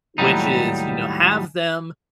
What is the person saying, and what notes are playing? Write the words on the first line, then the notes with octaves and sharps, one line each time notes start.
which is, you know, have them
D#2 A2 E3 F#3 G3 D#4